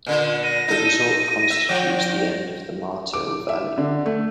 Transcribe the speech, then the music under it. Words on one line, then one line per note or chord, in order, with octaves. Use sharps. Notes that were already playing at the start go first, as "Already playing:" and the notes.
The resort constitutes the end of the Martil Valley.
A#2 D3
A#6 D#7
D#4 A4
E5
F3 D5 G5
D6
E5
D3
A3